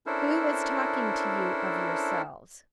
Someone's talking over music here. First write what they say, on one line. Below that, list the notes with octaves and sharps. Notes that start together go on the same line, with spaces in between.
Who is talking to you of yourselves?
C#4 D4 E4 A4 A#4 C5